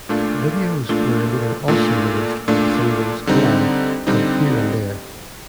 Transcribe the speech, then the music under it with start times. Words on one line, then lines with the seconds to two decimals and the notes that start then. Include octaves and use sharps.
Videos were later also released for the singles "Collide" and "Here and There".
0.09 A#2 A3 D4 F4
0.89 A#2 A3 D4 F4
1.68 A#2 A3 D4 F4
2.48 A#2 A3 D4 F4
3.27 D3 G3 C4 D#4
4.07 D3 G3 C4 D#4